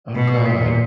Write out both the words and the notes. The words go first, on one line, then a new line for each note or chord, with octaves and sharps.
Oh god.
B2
A#2